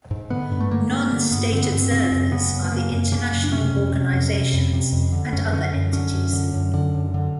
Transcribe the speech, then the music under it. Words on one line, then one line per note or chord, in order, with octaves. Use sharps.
Non-state observers are the international organizations and other entities.
G#2
D3 B3
G2
A3
D3 A#3
G2
D3 A#3
G2 B3
D3 C4
B3
G2 C4
C#3 C4
F#2
C#3 B3
F#2
B3
C#3 A#3
F#2
C#3 A#3
F#2
D4
C3 C#4
F2
C3
F2
C3
F2
C3
F2
D3
F#2 C#4
D3 C#4
F#2
D3 C#4
F#2
D3
F#2
D3
F#2
D3